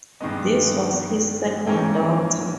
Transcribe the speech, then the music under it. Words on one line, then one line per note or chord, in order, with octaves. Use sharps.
This was his second daughter.
G2 D#3 G#3 B3 D#5
G#2 E3 A#3 C#4 G5